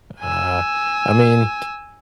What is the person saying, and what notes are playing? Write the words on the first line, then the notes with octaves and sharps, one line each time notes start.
Ah, I mean,
G#5 E6